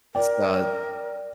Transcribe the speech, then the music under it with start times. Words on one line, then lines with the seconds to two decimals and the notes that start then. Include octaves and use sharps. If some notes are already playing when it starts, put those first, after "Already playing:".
It's, uh,
0.15 A#4 D5 G5